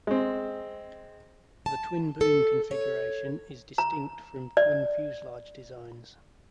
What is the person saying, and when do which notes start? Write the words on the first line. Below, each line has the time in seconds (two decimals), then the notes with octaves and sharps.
The twin-boom configuration is distinct from twin-fuselage designs.
0.07 G#3 C4
1.66 A5
2.21 A4
2.71 C#5
3.78 A#5
4.57 D5